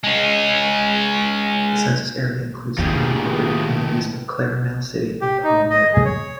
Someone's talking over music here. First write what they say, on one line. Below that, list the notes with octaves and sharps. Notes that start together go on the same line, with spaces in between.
The census area includes the unincorporated communities of Clair-Mel City and Palm River.
G#3 C#4
D#2 A2 D#3 D4 F4 G4 G#4
G4
D#4
D#5
G#4
C#5